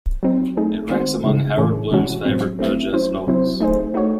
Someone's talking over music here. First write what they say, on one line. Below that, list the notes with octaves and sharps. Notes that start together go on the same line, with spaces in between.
It ranks among Harold Bloom's favourite Burgess novels.
F#3 C4 D#4
A3 D#4 G#4
D#3 G#3 C4 F#4 C5
C#3 E3 G#3 D#4
A2 E3 A3 C#4 G#4
C3 E3 G#3 C#4 F#4
A2 F#3 C4
A3 C4 E4
F#3 C#4 E4 C5
C3 F#3 C4 E4 C5
A3 D#4 G#4 C5
A3 D#4 F#4 C#5